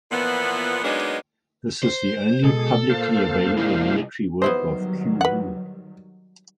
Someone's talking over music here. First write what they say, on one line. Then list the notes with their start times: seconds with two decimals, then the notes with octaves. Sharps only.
This is the only publicly available military work of Qu Wu.
0.11 A#2 E3 F3 B3
0.84 F#3 G#3 A#3 B3 D4 D#4
1.83 C5
2.44 B2 G#3 G#4 A4
2.90 A#2 A#3 C5 F5
3.29 F2
3.57 C2 G#3 E4
4.42 D#3 F#3 G3 B3 E4 C5 D#5
5.21 B4 F#5